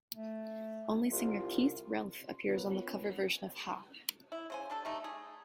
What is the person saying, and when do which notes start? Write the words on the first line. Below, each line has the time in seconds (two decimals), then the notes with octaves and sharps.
Only singer Keith Relf appears on the cover version of Ha!
0.14 A3
1.12 C2 F4
2.48 B3 F4 F#4 A#4 B4 C#5
4.32 E4
4.50 C#3 C5 G#5
4.70 G3 D4 A4
4.85 G3 A3 D#4
5.04 G#4